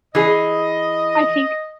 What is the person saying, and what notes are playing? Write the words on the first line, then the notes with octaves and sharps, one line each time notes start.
I think
E3 G#4 D#5